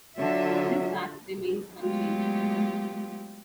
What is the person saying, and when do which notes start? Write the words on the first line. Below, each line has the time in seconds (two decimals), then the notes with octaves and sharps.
This fact remains unchanged.
0.19 D3 F#3 F4 E5
1.81 F#3 G#3 A3 B3 F4 G4